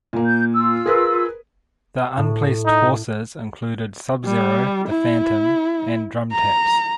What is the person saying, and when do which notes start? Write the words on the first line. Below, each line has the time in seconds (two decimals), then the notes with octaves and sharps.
The unplaced horses included Subzero, The Phantom and Drum Taps.
0.13 A#2 A#3
0.27 G6
0.53 F4 E6
0.86 G#4 A#4 B4
2.17 A2
2.66 D#4
4.25 G3
4.88 E4
6.32 A#5